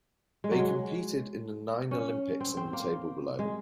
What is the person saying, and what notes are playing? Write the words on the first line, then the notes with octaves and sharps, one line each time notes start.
They competed in the nine Olympics in the table below.
G#3
F#3
G#3
C#4
C4
C4
A#3
G#3